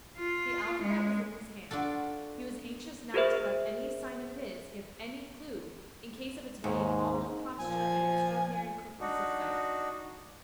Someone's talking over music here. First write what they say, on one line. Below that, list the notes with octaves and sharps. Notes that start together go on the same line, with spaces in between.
The alphabet was in his hands; he was anxious not to let any sign of his give any clue in case of its being all imposture and extraordinary quickness of sight.
F4
G#3
D4 F4 F#4 A4
F#4 G#4 A#4 C5 E5
D#2 G#2
A#2 F3 G#5
D4 D#4 F#4